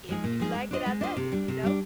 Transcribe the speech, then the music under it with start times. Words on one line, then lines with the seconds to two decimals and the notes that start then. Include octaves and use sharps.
"if you like it, I love it." You know?
0.09 F3 G#3 D#4 G#4
0.24 A#2
0.40 F3 G#3 D#4 G#4
0.55 G#3
0.71 D4 F4 C5 D#5
0.86 G#3
1.01 D4 F4 C5 D#5
1.17 C3
1.32 G3 D4
1.48 C3
1.63 G3 D4